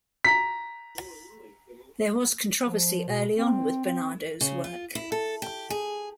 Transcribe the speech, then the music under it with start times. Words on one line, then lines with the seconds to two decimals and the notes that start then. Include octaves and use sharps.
There was controversy early on with Barnardo's work.
0.24 A#5 B6
2.64 F3
3.08 B2
3.38 C4
3.85 C4
4.41 C#3
4.64 F4
4.95 E4
5.12 A4
5.42 G4
5.70 G#4